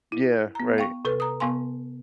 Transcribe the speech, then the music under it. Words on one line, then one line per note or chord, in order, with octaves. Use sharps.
Yeah, right.
E4
B3 A#5
F5 G5 C#6
C3 A4 B4
A#5 D#6
C3 B3 F5 G#5 C6